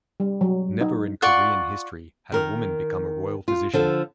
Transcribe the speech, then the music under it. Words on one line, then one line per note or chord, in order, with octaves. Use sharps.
Never in Korean history had a woman become a royal physician.
G3
F#3
D#4
F4 D5 F#5 C#6
D#3 A#4
F4
D3 F3 A4